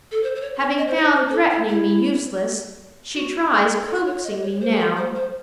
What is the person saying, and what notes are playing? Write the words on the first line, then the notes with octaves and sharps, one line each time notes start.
Having found threatening me useless, she tries coaxing me now.
A4
C5
C5
C#5
C#5
D#5
C5
C#5
C5
C5
A4
E4
E4
F#4
G#4
A4
C#5
D#5
C#5
C5
A4
C5
C5